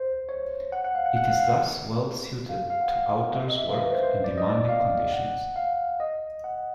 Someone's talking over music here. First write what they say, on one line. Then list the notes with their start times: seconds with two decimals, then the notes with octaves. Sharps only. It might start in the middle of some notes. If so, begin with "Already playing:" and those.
It is thus well suited to outdoors work in demanding conditions.
Already playing: C5
0.29 C#5
0.72 F#5
0.84 F#5
0.95 F5
1.06 F#5
1.17 F#5
1.28 F5
1.39 F5
2.49 F5
2.70 F5
2.81 F#5
2.93 F5
3.36 E5
3.48 D#5
3.58 E5
3.69 F5
3.81 B4
3.91 C5
4.03 C5
4.24 D5
4.37 D#5
4.50 D5
4.69 F5
5.13 F#5
5.56 F5
6.00 D#5
6.44 F#5